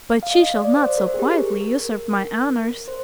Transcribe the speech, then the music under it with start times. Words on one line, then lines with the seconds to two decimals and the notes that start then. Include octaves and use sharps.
But she shall not so quietly usurp my honors.
0.23 F5
0.34 D#5
0.55 D5
0.77 C5
0.98 A#4
1.14 G#4
1.19 G4
1.61 A#4
2.88 C5